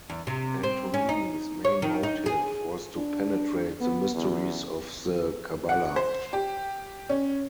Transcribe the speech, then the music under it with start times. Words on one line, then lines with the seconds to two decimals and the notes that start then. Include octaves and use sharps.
Antonini's main motive was to penetrate the mysteries of the Cabala.
0.10 E2
0.27 C3
0.63 C4
0.94 C#4
1.09 D#4
1.65 C#5
1.82 D#3
2.03 D#4
2.26 G#4
2.96 D4
3.81 B3
4.15 E2
5.69 F#5
5.96 C5
6.33 G4
7.10 C#4